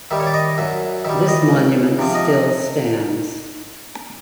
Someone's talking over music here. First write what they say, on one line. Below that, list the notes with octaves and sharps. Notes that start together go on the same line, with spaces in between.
This monument still stands.
D#3 G3 E5
C#5
D5
D#5
F#2 E5
D#3 G3 E5
D#5
C#2
C3 F3
D#5